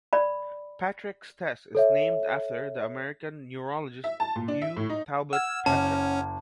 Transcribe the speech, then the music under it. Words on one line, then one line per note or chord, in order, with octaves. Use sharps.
Patrick's test is named after the American neurologist Hugh Talbot Patrick.
D5 B5
A4 C#5 E5
E5
A5
A#2
D4
E5
A2
D#4
F#5 E6 F6 G#6
F#1 C#4 A5